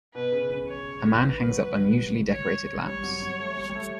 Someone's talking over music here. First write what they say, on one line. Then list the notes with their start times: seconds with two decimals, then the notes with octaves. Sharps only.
A man hangs up unusually decorated lamps.
0.14 B2 B4
0.32 C#3
0.51 C#3
0.68 C#5
1.23 B4
1.49 F#3
1.76 G3
2.31 C#5
2.85 G3 C#5
3.03 F#3
3.21 F#3
3.40 A3
3.57 G3
3.69 G3
3.75 A3